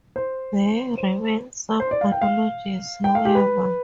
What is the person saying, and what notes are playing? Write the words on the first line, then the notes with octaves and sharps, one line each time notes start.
There remain some analogies, however.
C5
C5
C5
D5
F5
G5
F5
G5
F5
G4
B4